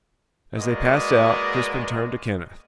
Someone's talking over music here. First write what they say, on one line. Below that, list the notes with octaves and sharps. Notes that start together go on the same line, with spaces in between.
As they passed out, Crispin turned to Kenneth.
G#3 A#3 F#4 B4 D5 D#5